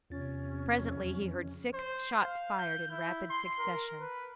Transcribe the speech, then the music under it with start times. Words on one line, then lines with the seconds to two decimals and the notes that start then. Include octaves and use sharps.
Presently he heard six shots fired in rapid succession.
0.10 E2 C3 C#4 F4 A6
0.81 F2 C#3
1.74 C5
2.22 F5
2.59 G6
2.91 E4
3.30 C6
3.60 A#4
4.00 B4